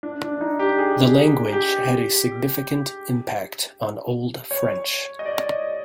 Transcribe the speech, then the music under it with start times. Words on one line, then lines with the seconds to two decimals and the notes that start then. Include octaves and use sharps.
The language had a significant impact on Old French.
0.03 D4
0.21 D4
0.41 D#4
0.59 G4
0.78 G#4
1.53 G4
4.51 C#5
5.19 D#5
5.26 D5